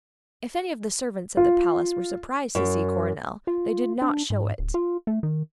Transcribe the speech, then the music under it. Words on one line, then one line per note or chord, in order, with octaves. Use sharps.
If any of the servants at the Palace were surprised to see Coronel, they did not show it.
F4
F#2
F4
D4
G#2
D1
F4
A3
D#3